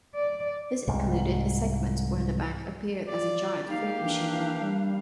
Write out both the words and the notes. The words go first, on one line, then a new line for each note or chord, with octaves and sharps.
This included a segment where the bank appeared as a giant fruit machine.
D5
C2 G#2
F4 D5
A#3 D#4 G4 F5
E3 D4
G3